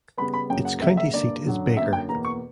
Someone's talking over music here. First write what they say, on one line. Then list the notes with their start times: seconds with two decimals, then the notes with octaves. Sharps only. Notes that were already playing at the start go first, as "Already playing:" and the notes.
Its county seat is Baker.
0.17 C#3 G3 B3 B5
0.34 B5
0.50 F#2 C#3 F#3 A#3 G5
0.65 F#5
0.82 C#3 F#3 A#3 E5
0.97 E5
1.13 G2 D3 A#3 D5
1.45 F#2 D3 F#3
1.77 F#2 D3 A#3 E5
1.93 G5
2.09 E2 B2 A#3 A#5
2.25 C#6